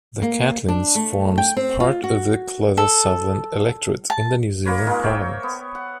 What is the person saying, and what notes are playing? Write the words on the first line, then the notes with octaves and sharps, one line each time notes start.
The Catlins forms part of the Clutha-Southland electorate in the New Zealand Parliament.
A#3
D4
A3
G5
C4
F4
F#4
A4
A5
A#3 A#4 B4 C#5
G#3 A#3 D#4 F4
C5 C#5 E5 G5
B3
F#5